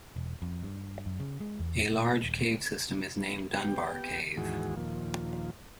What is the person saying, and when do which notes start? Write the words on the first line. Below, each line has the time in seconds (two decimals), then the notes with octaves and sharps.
A large cave system is named Dunbar Cave.
0.16 E1
0.42 F2
0.63 G2
1.06 F#2
1.20 C#3
1.40 G#3
1.60 E2
1.93 A#2
2.24 D#1
3.53 B3 G4 G5
4.37 D#2 G#2 E3 F#4 G#4
4.76 D#2 A#2 F3